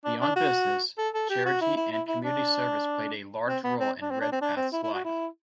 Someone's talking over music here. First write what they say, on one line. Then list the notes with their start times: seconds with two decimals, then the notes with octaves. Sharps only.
Beyond business, charity and community service played a large role in Redpath's life.
0.04 D4
0.21 D4
0.36 F#4
0.98 A4
1.14 A4
1.30 G4
1.45 F#4
1.61 E4
1.76 E4
1.92 E4
2.08 E4
2.24 D4
3.47 C4
3.64 B3
3.80 C4
4.01 D4
4.11 C4
4.21 D4
4.32 C4
4.42 D4
4.57 C4
4.72 E4
4.83 E4
4.93 F#4
5.05 E4